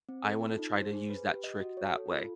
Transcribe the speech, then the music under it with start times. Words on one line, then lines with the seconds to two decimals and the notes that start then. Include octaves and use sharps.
I wanna try to use that trick that way."
0.09 C4
0.25 A4
0.42 F4
0.59 D#4
0.76 C5
0.93 G#4
1.10 B4
1.26 G4
1.44 D#5
1.60 F#4
1.77 C#5
1.94 A4
2.11 F4